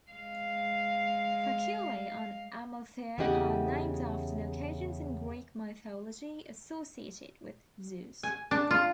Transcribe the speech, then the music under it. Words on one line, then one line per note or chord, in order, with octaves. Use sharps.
Faculae on Amalthea are named after locations in Greek mythology associated with Zeus.
G#3 F5
E2 C#3 A3 G4 D#5 F#5
G#5
D4
F4